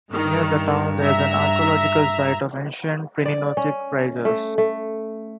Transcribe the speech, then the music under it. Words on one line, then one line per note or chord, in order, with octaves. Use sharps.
Near the town there's an archaeological site of ancient Priniatikos Pyrgos.
G2 D#3
E5 A#5
D5
C#4
A3
A3